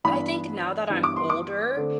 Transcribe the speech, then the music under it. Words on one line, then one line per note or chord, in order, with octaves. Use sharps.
I think now that I'm older,
G2 E3 B3 D4 B5
G2 E3 B3 D4
D6
C6
D6
D3 A3 C4